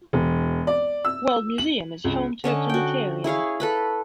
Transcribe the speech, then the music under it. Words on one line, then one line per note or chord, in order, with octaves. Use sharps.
World Museum is home to a planetarium.
E1
D5
E6
F#7
C#2
D3 C#4 D#5 A5
F#4 G5
E4 G#4 C#5 F5
A4 B4 B5